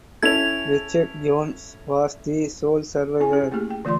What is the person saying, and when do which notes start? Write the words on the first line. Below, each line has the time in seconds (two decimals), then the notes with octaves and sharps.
Richard Jones was the sole survivor.
0.23 C#4 E4 A4 G#6 F7
3.20 C#4 E4 G#5
3.33 G#4
3.52 A3 A#3 E4 G4 G#4
3.70 G5
3.85 D3 E3 A3 F4 D5 C6